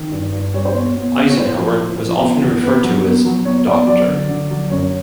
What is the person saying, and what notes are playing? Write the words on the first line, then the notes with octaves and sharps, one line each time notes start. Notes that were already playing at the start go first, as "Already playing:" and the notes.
Eisenhower was often referred to as Doctor.
Already playing: D#3
G2
G2
G3 C#5
C5
B2 C#5
B2
B2
C#5
A2 C5
F3
A2
F3
B2
E2
B2 B4
F#3
B2
F#3
B2 C#5
B2 D5
F#3 D5
D3
D3
F#3
F#2 C#5